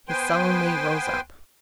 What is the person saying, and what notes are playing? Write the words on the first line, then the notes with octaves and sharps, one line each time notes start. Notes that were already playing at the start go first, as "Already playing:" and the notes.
He sullenly rose up.
B3 B4 C5 G5 G#5 C6